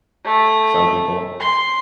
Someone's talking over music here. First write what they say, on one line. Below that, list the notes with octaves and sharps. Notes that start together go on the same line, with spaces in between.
some people.
A3
C6